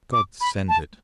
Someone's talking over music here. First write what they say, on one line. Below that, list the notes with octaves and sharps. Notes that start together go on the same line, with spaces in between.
God send it!
D6
B5
A5